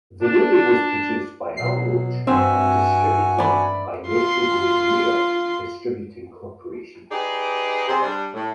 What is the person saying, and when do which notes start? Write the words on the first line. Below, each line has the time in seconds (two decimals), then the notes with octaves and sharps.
The movie was produced by Hal Roach and distributed by Metro-Goldwyn-Mayer Distributing Corporation.
0.22 D4
1.57 B2 F#3 C7
2.27 G2 C4 F#4 E5 F#5 G#5
3.38 D5 B5
4.08 F4 C6
7.12 D#4 G4 G#4 B4 D5
7.89 C3 G#4 C5
8.03 G3 D4
8.34 A2